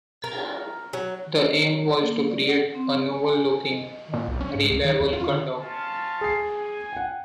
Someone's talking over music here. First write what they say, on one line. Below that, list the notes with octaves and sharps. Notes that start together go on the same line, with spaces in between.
The aim was to create a noble-looking, reliable gun dog.
A#4
F#3
C#5
A#3
D5
F#5
C4
G#5
D#5
A#2
B1
C#4
G#2
C#2
D#3
E2
F4
D3
C#4 F4 A5
G#4 C7
G#5
F#5 G5